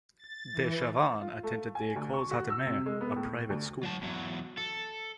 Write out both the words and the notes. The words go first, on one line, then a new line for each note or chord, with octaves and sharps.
Dechavanne attended the Cours Hattemer, a private school.
A6
E3
F4
A3
G#5
D2
C#6
F#4
E6
C3
G#3
B3
A2
D2
F#3 A5
E2 F#3
A4